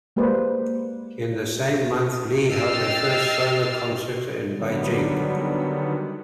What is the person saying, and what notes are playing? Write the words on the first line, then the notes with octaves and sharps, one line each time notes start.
In the same month, Li held her first solo concert in Beijing.
G#3 A#3 G4 B4 C5 D5
D#5 G5 E6 F6 A6 C7
D3 D#3 F#3 G3 B3